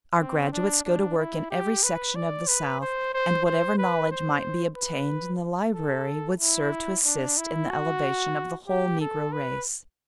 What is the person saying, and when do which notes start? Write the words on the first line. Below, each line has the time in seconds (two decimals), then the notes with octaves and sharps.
Our graduates go to work in every section of the South, and whatever knowledge might be obtained in the library would serve to assist in the elevation of the whole Negro race.
0.19 C4
0.52 D4
0.85 D4
1.18 E4
1.51 G4
1.83 B4
2.15 D5
2.48 B4
2.81 C5
3.14 C5
3.46 C5
3.78 B4
4.11 C5
4.76 B4
5.75 A4
6.40 E4
7.05 D4
7.37 E4
7.70 F#4
8.67 G4
9.01 A4
9.32 B4